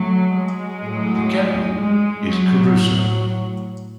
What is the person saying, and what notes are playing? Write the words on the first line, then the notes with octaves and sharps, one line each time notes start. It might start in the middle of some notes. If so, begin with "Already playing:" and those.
The capital is Kouroussa.
Already playing: F#3 A3
G#3
A2 F#3
G#3
F#3
A2 F#3